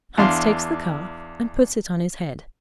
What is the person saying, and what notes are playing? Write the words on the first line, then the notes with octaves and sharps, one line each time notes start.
Hans takes the calf, and puts it on his head.
E2 D4 F5 C6